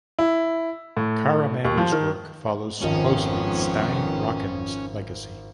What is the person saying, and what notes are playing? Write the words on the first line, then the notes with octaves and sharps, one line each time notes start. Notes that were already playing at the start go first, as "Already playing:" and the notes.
Caramani’s work follows closely Stein Rokkan’s legacy.
E4
A2
D#2
F3
D#3
G#1 F2 G#2 D#3 F3 B3 C#4 D#5